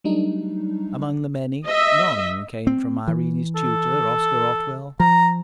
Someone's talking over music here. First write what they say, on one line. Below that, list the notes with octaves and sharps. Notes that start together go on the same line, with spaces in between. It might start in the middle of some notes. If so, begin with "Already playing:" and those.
Amongst the many, none came from Irene's tutor, Oscar Otwell!
F#3 G3 A3 D4 D#4
D#5 E5
C4
E3
A4
F3 A#5